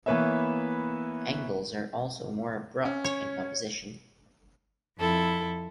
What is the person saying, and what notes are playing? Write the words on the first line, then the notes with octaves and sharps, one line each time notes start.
Angles are also more abrupt in composition.
E3 A#3 B3 B4 C#5 E5
C#4
C#5
F2 E4 A4